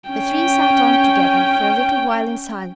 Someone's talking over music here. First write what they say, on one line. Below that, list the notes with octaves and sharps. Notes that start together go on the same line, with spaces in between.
The three sat on together for a little while in silence.
C#4 G5